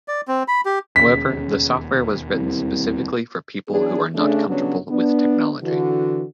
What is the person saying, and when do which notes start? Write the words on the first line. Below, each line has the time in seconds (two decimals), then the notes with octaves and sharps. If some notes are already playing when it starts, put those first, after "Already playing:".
However, the software was written specifically for people who are not comfortable with technology.
0.08 D5
0.28 C4
0.48 B5
0.65 G4
0.96 E1 D#2 C#3 B6
2.32 C2
3.68 E3 F#3 B3 D4 G#4
4.15 C#3 A3 D4
4.48 C#3 F#3 G3 B3 C#4 D4
4.90 B3 D4
5.63 D3 E3 F#4